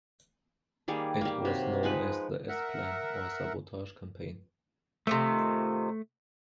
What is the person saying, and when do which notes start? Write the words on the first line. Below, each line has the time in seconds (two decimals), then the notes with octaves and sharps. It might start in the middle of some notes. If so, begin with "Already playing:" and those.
It was known as the S-Plan or Sabotage Campaign.
0.88 D#3 G3 A#3 G#4
1.21 G3 A#3
1.45 C3 F#3
1.83 F3 G#3 D#4 B4
2.49 A#4 E5 F#5
5.07 C3 D#3 F3 A3